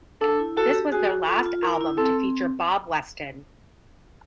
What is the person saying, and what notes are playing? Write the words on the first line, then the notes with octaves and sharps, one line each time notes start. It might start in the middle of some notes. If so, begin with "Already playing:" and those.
This was their last album to feature Bob Weston.
D4 A4
E4
F#4 A4
G4
F#4 G#4
F4 A4
F4
E4 A#4
E4
C4 A4